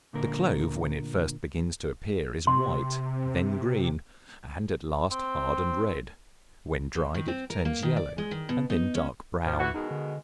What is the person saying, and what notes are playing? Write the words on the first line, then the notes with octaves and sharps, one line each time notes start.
The clove when it first begins to appear is white, then green, and at last hard and red; when dried, it turns yellow, and then dark brown.
D2 A#2 D3 A#4
C3 C6
C4
G#2
D#3
C4
A#4
A#3
D#3
D5
G#3
D#3
B2
D#4
C#4
G#2 C3 F3
E3 A3 F#4
B2 D#3 G#3 D#4
D3